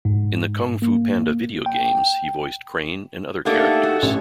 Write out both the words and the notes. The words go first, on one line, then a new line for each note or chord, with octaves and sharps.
In the "Kung Fu Panda" video games, he voiced Crane and other characters.
G#2
A#3
G5
A3 A#3 D4 D#4 G4 A4 F#5
F#4
A1 C#5